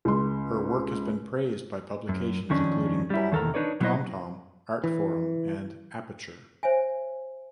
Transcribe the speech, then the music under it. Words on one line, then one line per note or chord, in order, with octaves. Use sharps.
Her work has been praised by publications including "Bomb", "Tom Tom", "Artforum", and "Aperture".
C#2 C6
F#2
F2 D#3 C#4 D4
G3 E4
E2 D#3 A4 A#4 A#5
D4 D#4 B4 C#5 D5
B2 F#3 B3 E4 C5 D#5
E3
C5 C#5 E5 G#5